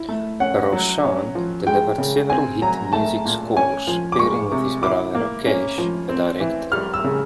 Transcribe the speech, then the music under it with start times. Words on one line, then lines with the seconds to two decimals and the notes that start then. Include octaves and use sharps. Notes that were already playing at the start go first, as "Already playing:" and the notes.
Roshan delivered several hit music scores pairing with his brother Rakesh, a director.
Already playing: E4
0.09 A3
0.40 C#4 F#5
0.73 F#3
1.04 C#4
1.35 F3
1.66 G#3 G5
1.98 C#3
2.30 C4 G#5
2.62 F#3 A#5
2.93 A3 A5
3.25 A#2
3.57 C#4 G#5
3.87 F3
4.12 D6
4.19 G#3 C#6
4.52 C3
4.82 E4 D6
5.15 A#3
5.46 C#4
5.78 F3
6.09 C4
6.40 E3
6.72 G3 F6
6.94 E6
7.04 C#3